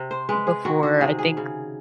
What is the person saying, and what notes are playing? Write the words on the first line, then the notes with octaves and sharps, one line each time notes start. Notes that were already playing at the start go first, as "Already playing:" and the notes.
before, I think
Already playing: C3
C5
G#3 B4
G#4
D#3 F#4
F#4
C3 G#4
G#4
C#3